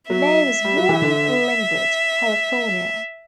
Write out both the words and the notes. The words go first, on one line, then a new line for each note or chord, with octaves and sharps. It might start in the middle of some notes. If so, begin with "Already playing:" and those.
May was born in Lynwood, California.
F#3 E5
G3
F#3
E3
D3